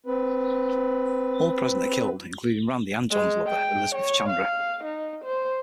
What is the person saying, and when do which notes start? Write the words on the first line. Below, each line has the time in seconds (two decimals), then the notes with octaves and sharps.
All present are killed, including Randy and John's lover, Elizabeth Chandra.
0.06 C4 B4
3.12 G#3
3.49 G5
3.95 C#5
4.30 F5
4.84 D#4
5.25 C5